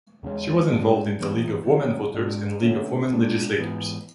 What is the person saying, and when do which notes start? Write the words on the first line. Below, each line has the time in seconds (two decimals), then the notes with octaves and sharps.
She was involved in the League of Women Voters and League of Women Legislators.
0.23 E2 C#3 G#3 C#4
0.71 G#2 G#3 D4
1.19 F#2 C#3 E3 B3
1.67 C#3 F#3 C#4
2.14 G#2 G#3 D4
2.62 D3 A3 C#4
3.10 B2 G#3 D4
3.58 G#2 E3 B3